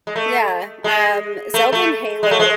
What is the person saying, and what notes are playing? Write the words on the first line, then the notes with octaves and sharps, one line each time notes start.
Yeah, um, Zelda and Halo
G#3
A3
G#3
A3
A3
G#3
A3
G#3